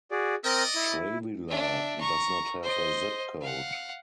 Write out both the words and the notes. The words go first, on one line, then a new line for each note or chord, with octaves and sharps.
Travilah does not have a zip code.
F#4 G#4 D5
C4 A#4 D5 D#5 G6
E4
D4 E5
A#5 C#6
C5 D#5
F5 F#5